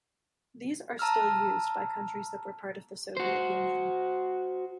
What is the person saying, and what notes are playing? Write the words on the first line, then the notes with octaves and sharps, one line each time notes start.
These are still used by countries that were part of the Soviet Union.
A5 A#5 E6 F6
F#4 C5